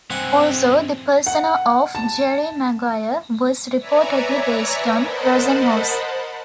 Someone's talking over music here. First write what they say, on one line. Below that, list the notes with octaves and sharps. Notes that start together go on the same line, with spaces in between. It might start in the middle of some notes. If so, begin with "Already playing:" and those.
Also, the persona of Jerry Maguire was reportedly based on Rosenhaus.
G2 E3 C4 F#5 G#5
F#5
A5
B4 C#5 D5 E5 G#5 A#5
A#4 C5 D#5 F#5 A5 B5